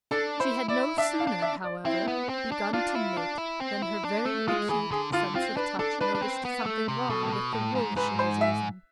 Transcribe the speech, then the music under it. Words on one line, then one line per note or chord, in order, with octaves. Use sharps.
She had no sooner, however, begun to knit than her very acute sense of touch noticed something wrong with the wool she was using.
D4 A4
E4 C5
E4 D5
D4 E5
F5
D4
E5
D5
C4 E4
B3
C4
D4
D4 F4
E4
D4
E4
C4
E4
D4
A3
G#3 F4
E3 G#4
D3 G#4
D3 F4
C4 F4
D4 B4
D4 A4
D4 B4
D4
C4
B3
A3
C3
B2 A4
A2
B2
A2
G#2
G#2 B4
C5
E5